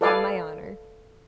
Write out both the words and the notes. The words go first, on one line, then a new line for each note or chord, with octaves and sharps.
"On my honor."
A4 B4 D5 F5 G#5